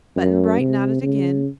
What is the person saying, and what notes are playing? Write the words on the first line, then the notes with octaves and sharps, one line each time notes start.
Button-Bright nodded again.
F#2
C3
C#3